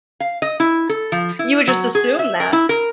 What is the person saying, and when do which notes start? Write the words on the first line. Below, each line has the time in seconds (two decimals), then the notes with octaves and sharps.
You would just assume that.
0.20 F5
0.42 D#5
0.60 E4
0.89 A4
1.12 F3
1.39 E4
1.67 F#3
1.95 G#4
2.19 E5
2.40 A#4
2.53 E4
2.69 A#4